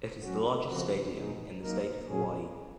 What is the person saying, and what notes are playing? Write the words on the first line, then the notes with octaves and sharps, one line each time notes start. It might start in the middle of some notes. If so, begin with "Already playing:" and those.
It is the largest stadium in the state of Hawaii.
F#3 C#4 F#4
C#3 F3 C4 F#4
A#2 G#3 D#4
F#3 A#3 D#4 A#4
A#2 F#3 C#4 G#4